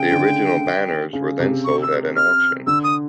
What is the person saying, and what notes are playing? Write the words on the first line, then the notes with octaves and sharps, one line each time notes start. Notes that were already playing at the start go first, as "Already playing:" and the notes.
The original banners were then sold at an auction.
Already playing: C#3 G5
D3
C#3
C3
C#6
E6
F6
D3 E6
D#6